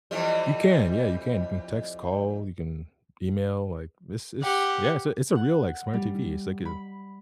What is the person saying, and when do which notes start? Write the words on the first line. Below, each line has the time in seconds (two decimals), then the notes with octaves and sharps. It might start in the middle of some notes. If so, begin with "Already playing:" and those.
You can, yeah, you can. You can text, call, you can email, like, this is yeah, it's a it's a real, like, smart TV. It's like a
0.11 F2 E3 G3
4.42 G4 F#5
5.35 F#5
5.93 G3
6.65 B5